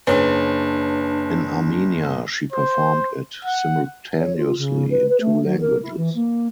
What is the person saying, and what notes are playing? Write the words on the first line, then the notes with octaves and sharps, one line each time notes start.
In Armenia she performed it simultaneously in two languages.
F#1 D4 B4 C#5
C5
F#5
C#5
F4
C#3
B4
B4
A3
F#3
A#4
E4
E3
A#3